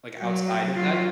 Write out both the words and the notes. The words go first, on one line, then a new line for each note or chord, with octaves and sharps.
Like outside of that y
F#3
F#3 F4